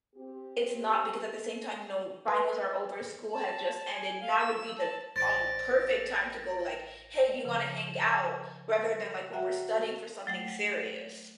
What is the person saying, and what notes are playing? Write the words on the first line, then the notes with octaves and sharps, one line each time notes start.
it's not because at the same time, you know, finals are over. School had just ended. Now would be the, um, perfect time to go, like, "Hey. Do you wanna hang out?" rather than, like, when we're studying for something serious.
C4 G4
B4
A5
G#5
F5
E6
A5
A1 C5 D5 A6 A#6 D7
C#3 F3
F#4 E5 F#5 G5 A#5
F#3 A3 G5